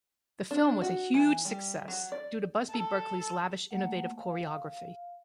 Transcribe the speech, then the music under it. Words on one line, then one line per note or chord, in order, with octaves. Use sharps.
The film was a huge success due to Busby Berkeley's lavish innovative choreography.
D4
F#4
E3
G3
F#3
D5
A4
A3 A#3 F#5
F5